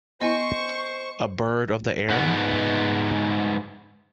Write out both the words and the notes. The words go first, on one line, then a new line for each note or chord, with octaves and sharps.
A bird of the air?
B3 E4 C5 D#5 G#5 C#6
G#2 B3